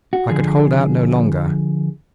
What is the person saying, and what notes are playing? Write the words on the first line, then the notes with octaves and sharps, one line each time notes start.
I could hold out no longer.
F#4
D3 F3 G#4